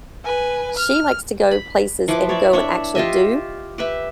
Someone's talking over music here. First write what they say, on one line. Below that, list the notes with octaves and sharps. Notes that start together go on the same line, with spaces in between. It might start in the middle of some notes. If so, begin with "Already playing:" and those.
she likes to go places and go and actually do.
B4 G#5
F6
B5
F3 E4 B4 D6
C#5 D5 E5
D4 C#5 E5
F4 G4 D#5 E5
G4 B4 E5